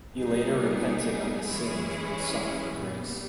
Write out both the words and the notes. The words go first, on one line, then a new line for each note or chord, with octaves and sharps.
He later repented of his sins and sought for grace.
G3 B3 D#4 G#4
E3 G#3 C#4 E4 G#4
A#2 G3 B3